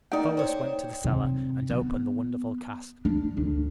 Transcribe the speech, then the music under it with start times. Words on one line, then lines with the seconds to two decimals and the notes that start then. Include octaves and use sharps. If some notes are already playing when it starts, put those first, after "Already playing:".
Pholus went to the cellar and opened the wonderful cask.
0.12 A#3 D#4 D5 G5
0.37 C5 C#5
1.05 C3
1.70 B3
3.05 D4
3.37 D2